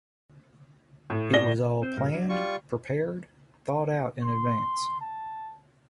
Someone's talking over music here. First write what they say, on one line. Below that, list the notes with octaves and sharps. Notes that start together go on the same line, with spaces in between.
It was all planned, prepared, thought out in advance.
A2
D5 A#6 G7
C4 C5
G2 A#2 A#4
F#3 D4
G3 F4 C#6
C6
A5